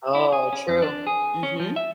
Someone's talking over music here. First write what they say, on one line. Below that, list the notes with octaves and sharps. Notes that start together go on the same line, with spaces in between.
Oh, true. Mhm.
E4
G#4
C#4
F2
D4
G#4
C#4
F3
E5